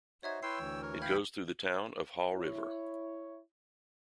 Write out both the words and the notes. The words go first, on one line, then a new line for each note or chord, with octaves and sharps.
It goes through the town of Haw River.
D#4 F#4 C5 C#5 E5 G#6
E4 B4 C#5 G5 C6 E6 C7
D2 E3
A#4 C#5
F5 G5 B5 F6 G#6
E4 C#5